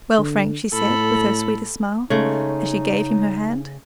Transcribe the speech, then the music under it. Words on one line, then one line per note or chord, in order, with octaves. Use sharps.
"Well, Frank?" she said, with her sweetest smile, as she gave him her hand.
D3
A2 A4 B5
C#3 G#3 A3 D#4 C#5